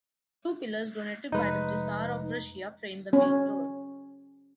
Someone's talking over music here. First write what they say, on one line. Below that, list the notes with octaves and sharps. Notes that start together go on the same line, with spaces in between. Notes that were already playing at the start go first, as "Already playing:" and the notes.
Two pillars donated by the Tsar of Russia frame the main door.
F1 G#3 D#4 B4
C#4